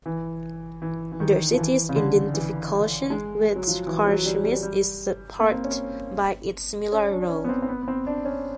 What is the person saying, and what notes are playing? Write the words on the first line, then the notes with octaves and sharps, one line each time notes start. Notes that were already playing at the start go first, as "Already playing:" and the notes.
The city's identification with Carchemish is supported by its similar role.
E3
E3
E3
D#3
F3
E3
C#3
D3
E3
G#3
F#3
F3
E3
F#3
G3
G3
G3
A#3
C4
C#4
C#4
D4
C#4
B3
C4
C4
B3
B3
C4
D4
C#4